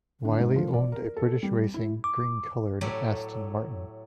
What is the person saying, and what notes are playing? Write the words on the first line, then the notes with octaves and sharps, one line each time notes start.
Wiley owned a British racing green-colored Aston Martin.
D3
G#2
F3
D5
A#4
A4
G3
E4
D6
A2 F#3 A3 G4 D5 B5